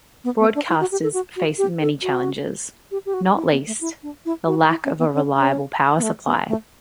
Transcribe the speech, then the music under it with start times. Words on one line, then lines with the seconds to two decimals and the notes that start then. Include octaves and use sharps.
Broadcasters face many challenges, not least the lack of a reliable power supply.
0.24 B3
0.40 B3
0.55 D4
0.69 E4
0.80 F#4
0.92 G4
1.03 A4
1.14 F#4
1.36 F#4
1.58 G4
1.81 A4
2.02 F#4
2.91 G4
3.06 G4
3.14 F#4
3.36 E4
3.51 B3
3.67 A3
3.81 E4
4.03 D4
4.26 E4
4.47 F#4
4.70 E4
4.85 C#4
4.99 B3
5.14 C#4
5.36 C#4
5.98 B3
6.03 A3
6.26 B3
6.48 A3